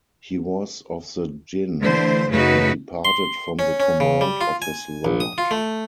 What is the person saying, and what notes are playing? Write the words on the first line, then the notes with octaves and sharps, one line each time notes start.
He was of the jinn and departed from the command of his Lord.
D3 E3 A3 C5
F#2 C#3 A3 D#4 F#4 B4
C6
C#4
C#4
C#3
G3
F4
G#5
A#1
D#6
F4
A3